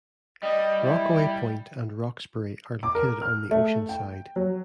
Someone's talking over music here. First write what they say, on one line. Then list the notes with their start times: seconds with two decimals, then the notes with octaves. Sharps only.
Rockaway Point and Roxbury are located on the ocean side.
0.43 G3 D#5
0.80 E4
2.83 D6
2.95 A#4
3.22 F6
3.51 A3
3.89 G5
4.36 F#3